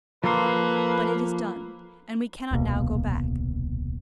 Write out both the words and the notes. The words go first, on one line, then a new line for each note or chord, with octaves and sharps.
But it is done, and we cannot now go back.
F3 A#3 A4 B4 C6
D#1 C2 B2 A#3